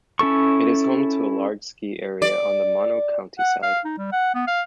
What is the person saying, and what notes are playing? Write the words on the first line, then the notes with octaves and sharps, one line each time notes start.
It is home to a large ski area on the Mono County side.
C#4 E4 A4 C#6
D5
F#5
F5
D#4
G3
F#5
B3
F5